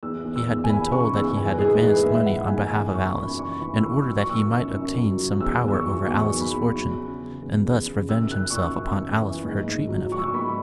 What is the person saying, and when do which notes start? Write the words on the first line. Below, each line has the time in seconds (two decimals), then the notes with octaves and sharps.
He had been told that he had advanced money on behalf of Alice, in order that he might obtain some power over Alice's fortune, and thus revenge himself upon Alice for her treatment of him.
0.03 E2 E6
0.25 E2
0.36 E6
0.47 E2
0.64 G#5
0.69 E2 B5
0.91 C#3 C#6
1.15 E2 E6
1.36 E3 G#5
1.53 B4
1.59 G#2 G#4
1.81 E3 B4
2.03 G#2 E5
2.26 E3 F#5
2.48 G#2 G#5
2.71 E3 G#5
2.94 F#2 C#6
3.10 C#6
3.15 F#2 B5
3.39 E3 C#6
3.61 E3 B5
3.78 E6
3.83 E3 C#6
4.05 F#3 E6
4.18 C#6
4.28 F#3 E6
4.50 F#2
4.73 F#2
4.95 F#3
5.18 F#3
5.40 E2 E6
5.63 E2 E6
5.74 C#6
5.86 F#3
6.08 E2 C#6
6.31 F#3
6.41 B5
6.53 E2
6.75 F#3
6.98 C#3
7.19 C#3
7.42 E2
7.65 E2
7.87 C#3
8.09 F#2 E6
8.31 F#2 F#6
8.50 C#6
8.54 F#2 E6
8.76 F#2
8.99 E3
9.22 E3
9.44 G#2
9.66 G#2
9.89 F#3
10.11 F#3 C#6
10.18 E6
10.26 C#6
10.34 G#2 B5